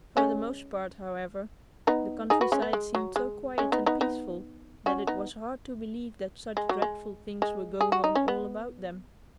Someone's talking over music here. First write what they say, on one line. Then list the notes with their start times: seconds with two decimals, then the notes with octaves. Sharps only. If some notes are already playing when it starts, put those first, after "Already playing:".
For the most part, however, the countryside seemed so quiet and peaceful that it was hard to believe that such dreadful things were going on all about them.
0.17 G#3 C#4
1.87 B3 D#4
2.30 D#4 G#4
2.41 F#4 B4
2.52 G#3 C#4
2.62 B3
2.73 G#3
2.95 F#3
3.16 G#3
3.58 G#3 C#4
3.72 B3 D#4
3.86 B3 D#4
4.01 B3 D#4
4.86 C#4 F#4
5.07 B3 D#4
6.57 G#3
6.69 F#3
6.82 G#3
7.42 G#3
7.81 G#4
7.92 F#4
8.04 D#4
8.15 C#4
8.28 B3